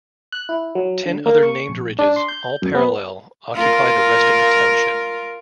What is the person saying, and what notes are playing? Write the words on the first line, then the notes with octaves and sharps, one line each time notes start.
Ten other named ridges, all parallel, occupy the rest of the township.
F#6
E4
F#3
D3
A#3
C#6
A#1
D4
C6
G6
F#2
B3
F4 A#4